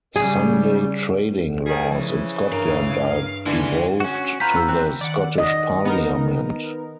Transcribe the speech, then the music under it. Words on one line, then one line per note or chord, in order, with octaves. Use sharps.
Sunday trading laws in Scotland are devolved to the Scottish Parliament.
C#3 G3 G#4
D3 D#3 G3 G#4
C#3 E3 F3
G2 A#4 F5
D3 E3 G3 G#3 C#4
C#4 F#4
C#4 F4 B4 A#5 G6 B6
E6
C4 F#6
D#3 D5 F#5
D#5
B3 D#4 A#4